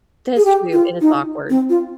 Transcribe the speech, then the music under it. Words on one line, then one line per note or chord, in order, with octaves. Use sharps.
That's true, it is awkward.
G#4
G4
F4
D#4
C4
F4